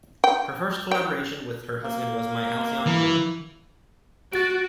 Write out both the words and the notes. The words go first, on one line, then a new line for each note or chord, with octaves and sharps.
Her first collaboration with her husband was "My Halcyon River".
G5
G5
A#3
E3
F#4 A6 D7